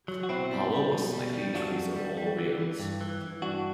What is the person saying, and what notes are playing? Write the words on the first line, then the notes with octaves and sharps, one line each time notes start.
The power was slightly increased on all rails.
F#3
F#4
B2 C4 E4
G3
G3
B2
G3
G3
F#2 D4 F#4
F#2
G3
G3
E3
E3
G2
E3
E3
G2 D4 F#4